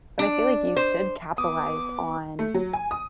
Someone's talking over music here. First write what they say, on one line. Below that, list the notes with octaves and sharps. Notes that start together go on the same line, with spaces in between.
but I feel like you should capitalize on
D4
C5
B3 D6 D#6
A3
F#3
G#5
D#6